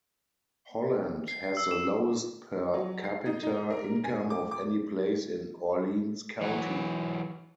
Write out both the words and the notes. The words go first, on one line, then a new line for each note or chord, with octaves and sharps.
Holland has the lowest per capita income of any place in Orleans County.
C7
E6
E7
F#3
C7
D#4
D#4
A#4
G#5
D6
D6
E3 F#3